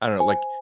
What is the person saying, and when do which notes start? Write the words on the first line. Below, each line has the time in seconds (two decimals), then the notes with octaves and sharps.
I don't know, like,
0.20 C5 G#5